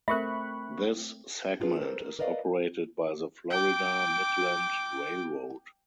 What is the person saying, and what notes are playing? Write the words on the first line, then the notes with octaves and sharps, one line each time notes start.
This segment is operated by the Florida Midland Railroad.
A3 C4 A#4 E5 B5 C#6 F#6
D4 F4 G#4 B4
A4 A#4 C5
A#4
A#4 B4 D5 D#5 F5
G5 D6